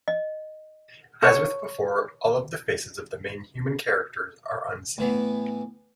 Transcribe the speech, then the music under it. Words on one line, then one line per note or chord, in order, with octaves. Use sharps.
As with before, all of the faces of the main human characters are unseen.
D#5
A4 C#5
A2 E3 B3